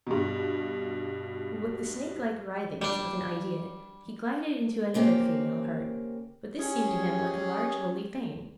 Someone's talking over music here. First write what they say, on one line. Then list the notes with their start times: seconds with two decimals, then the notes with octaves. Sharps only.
With the snake-like writhings of an idea he glided into another female heart; but this seemed to him like a large holy fane.
0.07 G2 B2
2.82 G3 D4
4.94 C#3 A#3 C4 G4
6.59 C#4 G4 G#4